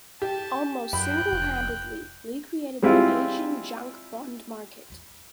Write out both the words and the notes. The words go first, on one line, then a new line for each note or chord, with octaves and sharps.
Almost single-handedly, Lee created the Asian junk bond market.
G4 A5
F#2 G5 B5 F#6 G6
F1
G3 G#3 C4 E4 F4